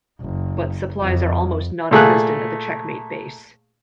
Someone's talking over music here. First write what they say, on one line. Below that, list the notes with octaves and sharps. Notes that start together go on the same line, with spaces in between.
But supplies are almost nonexistent at the Checkmate base.
F#1
F2
A#2 A3 G#4 F#6